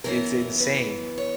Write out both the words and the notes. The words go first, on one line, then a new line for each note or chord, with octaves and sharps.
It's insane
F#2 E3 B3 A#4
B4
C#5